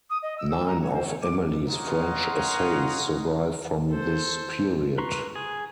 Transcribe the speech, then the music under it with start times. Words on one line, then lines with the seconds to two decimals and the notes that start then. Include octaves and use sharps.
Nine of Emily's French essays survive from this period.
0.09 D#6
0.22 D#5
0.38 E6
0.50 E6
0.67 A#5
0.81 C#5
0.93 C5
1.06 C#5
1.22 D6
1.68 C#5 D#5 F5 F#5 A#5 C6
3.90 A4 C5
4.98 B4 A#5 C6 C#6
5.35 G#4